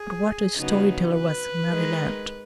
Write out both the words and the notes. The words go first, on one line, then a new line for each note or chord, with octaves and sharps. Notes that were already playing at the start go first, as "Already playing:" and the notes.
But what a story-teller was Mary Lant!
Already playing: G#4
C#3 F#3 B3 D#4
B4
D#3 G#3 D#4